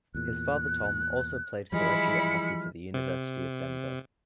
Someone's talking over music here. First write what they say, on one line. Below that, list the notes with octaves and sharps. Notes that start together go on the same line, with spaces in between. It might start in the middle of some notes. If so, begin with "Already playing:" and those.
His father Tom also played collegiate hockey for the University of Denver.
E2 A#2 F#6
E3 F3 G3 G#3 E4 B5 F6 C#7
C3